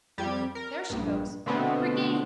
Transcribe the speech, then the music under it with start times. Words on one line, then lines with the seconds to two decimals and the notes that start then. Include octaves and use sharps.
There she goes. Brigade!
0.18 F2 G3 G4 G#6
0.55 A#4
0.90 A#1 G2
1.46 B2 D3 G#3 A3 B3 C4